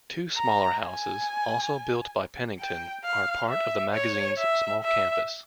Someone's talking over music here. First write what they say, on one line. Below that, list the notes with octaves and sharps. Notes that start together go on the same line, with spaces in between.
Two smaller houses also built by Pennington are part of the magazine's small campus.
A#5
G#5
G5
F5
E5
C#5
E5
E5